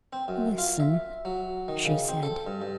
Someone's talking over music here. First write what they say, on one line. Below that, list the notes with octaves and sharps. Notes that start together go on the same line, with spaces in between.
"Listen," she said.
C4
F#2
F4
E5
F#3
D#3
C#3
C4
A4
G2
G2